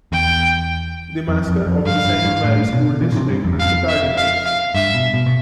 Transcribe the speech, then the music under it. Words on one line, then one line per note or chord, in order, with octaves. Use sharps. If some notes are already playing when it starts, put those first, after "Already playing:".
The mascot of the Saint Mary school district is the "Cardinals".
E2 G5
F2
F2
F2
G2 F5
G2
G2
A2
B2
E3
B2
C3
G2
F2
E2
F2 F5
E5
F5
F5
G2 E5
B2
B2
B2